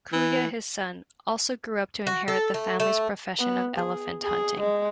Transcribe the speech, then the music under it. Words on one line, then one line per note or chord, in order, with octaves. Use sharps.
Kuje, his son, also grew up to inherit the family’s profession of elephant hunting.
E3
F#4
A4
A3
A3
B3
G#4
G#4
G#3